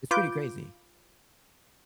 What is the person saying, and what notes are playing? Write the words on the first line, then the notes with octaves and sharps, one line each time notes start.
It's pretty crazy.
F4 B4 D6 G6